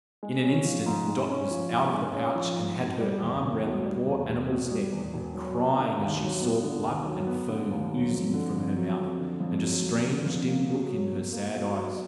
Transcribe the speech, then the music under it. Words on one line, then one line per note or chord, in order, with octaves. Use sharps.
In an instant Dot was out of the pouch and had her arm round the poor animal's neck, crying, as she saw blood and foam oozing from her mouth, and a strange dim look in her sad eyes.
G#3
C#4
F3
G#2
G#3
C#4
F3
G#2
G#3
C#4
F3
G#2
B2
G3
E2
E1
B2
G3
E2
E1
B2
G3
E2
E1
F#3
B3
D3
D#2
F#3
B3
D3
D#2
F#3
B3
D3
D#2
F#3
F2
D3
F2
F#3
F2
D3
F2
F#3
F2
D3
F2
A#3
B2
F#3
B2
A#3
B2
F#3